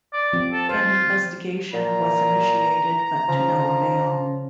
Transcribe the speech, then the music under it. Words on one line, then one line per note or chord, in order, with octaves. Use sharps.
An investigation was initiated, but to no avail.
D5
F3 C4
A4
F4 C5
A#2 A#5
C#3 F3